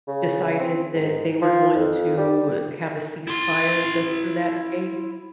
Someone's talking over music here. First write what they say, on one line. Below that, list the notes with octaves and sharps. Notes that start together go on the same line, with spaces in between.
decided that they were going to have a ceasefire just for that day
C#3
C4
G#2
F3
F2
G3
E4 C6